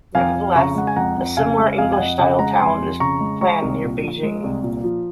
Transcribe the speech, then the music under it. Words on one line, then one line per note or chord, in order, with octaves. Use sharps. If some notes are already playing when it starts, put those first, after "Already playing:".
Nevertheless, a similar English-style town is planned near Beijing.
F2 F5 G#5
F2
C#3 A#5 C#6
G#3 F#5
G#5
F2 F#5 A#5
F2
C#3 F5 G#5
G#3
F2 F5 G#5
G#5
F2 D#5 F#5
C#3 D#5 F#5
G#3 F#5 A#5
F2 G#5 C6
F2
C#3 A#5 C#6
G#3
G#3 A#5 C#6
C2
A#2
F3
G#3
C2
A#2
F3